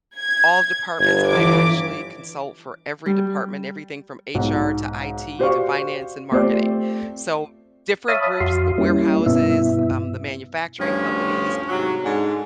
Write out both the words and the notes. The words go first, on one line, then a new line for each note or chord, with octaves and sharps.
all departments, I actually consult for every department, everything from HR to IT to finance and marketing, so different groups, the warehouses, um, the manufacturing companies.
G#6
G1 G#6
E3 D6
G3
B1 G#2
F#4 G4 C5 D5 F5 C#6
A3 C4 F4 G4 C5 D5
C#5 E5 F5 A5 B5 D#6
F2 F#4 F5 C6
G3 A#3 C#4 E4
G2 B2 B3 E4 E5
D2 G2 D3 F3 C#4
G#2 C3 F#3
G#2 D3